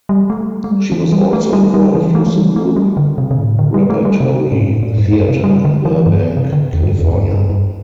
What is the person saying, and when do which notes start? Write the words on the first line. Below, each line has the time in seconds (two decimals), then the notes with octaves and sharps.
She was also involved with the Group Repertory Theatre in Burbank, California.
0.09 G3
0.30 A3
0.64 A3
0.71 G3
0.92 E3
1.12 G3
1.33 A3
1.53 G3
1.74 G3
1.95 E3
2.15 A3
2.27 E3
2.36 G3
2.56 A3
2.76 G3
2.97 D3
3.18 C3
3.31 C3
3.38 A2
3.59 D3
3.74 G3
3.90 A3
4.05 G3
4.20 C3
4.52 A2
4.61 G2
4.70 A2
4.83 A2
4.98 G2
5.13 G2
5.29 C3
5.44 G3
5.65 D3
5.85 E3
6.06 G2
6.37 C3
6.52 D3
6.73 E2
6.83 G2
6.99 E2
7.09 A2
7.14 G2
7.29 G2
7.50 G2